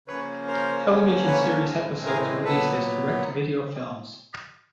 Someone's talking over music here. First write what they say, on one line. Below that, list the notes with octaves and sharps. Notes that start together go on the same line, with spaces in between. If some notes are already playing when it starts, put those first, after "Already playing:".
Television series episodes released as direct to video films.
C#3 F3 A#3 C#4 B4 C#5
A#4 C5
G2 D3 F3 A#3 C#4
B4 C#5
A4
A2 E3 G#3 C4 G#4 A#4
G#4 A#4
A#2 F#3 B3 A4 B4